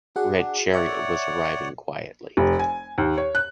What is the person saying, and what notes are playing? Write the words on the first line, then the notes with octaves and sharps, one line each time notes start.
Red chariot was arriving quietly.
D4 F#4 G#4 F#5
C#5 D5 E5 F#5
F1
G#5
D#2
C#5
F#6